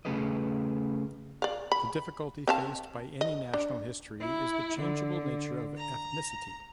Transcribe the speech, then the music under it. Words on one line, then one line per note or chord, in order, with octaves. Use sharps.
The difficulty faced by any national history is the changeable nature of ethnicity.
C#3 A3 C#4 G#4 B4 D#5
D5 F5
B5
C4 F5 A5
D#5
D4
E4
D3
A#5